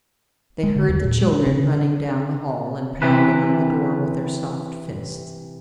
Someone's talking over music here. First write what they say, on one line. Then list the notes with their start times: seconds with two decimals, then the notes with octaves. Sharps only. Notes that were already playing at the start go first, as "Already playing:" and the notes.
They heard the children running down the hall and pounding on the door with their soft fists.
0.63 G#3
0.76 D3
0.89 D#2
1.04 A#2
1.22 G#3
1.33 D4
1.46 C#3
3.02 C3 E3 B4